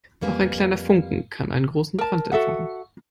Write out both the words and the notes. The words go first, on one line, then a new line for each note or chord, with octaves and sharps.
Auch ein kleiner Funken kann einen großen Brand entfachen.
F2 G3 A#3 B4 G#5
A#4 A5
F#4 A4 E5 F#5